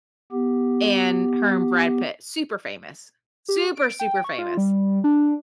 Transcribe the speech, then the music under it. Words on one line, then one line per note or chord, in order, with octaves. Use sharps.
And her and Brad Pitt, super famous. Super, super famous,
B3 G4
G4
D7
G5
C#6
F4
G3
D4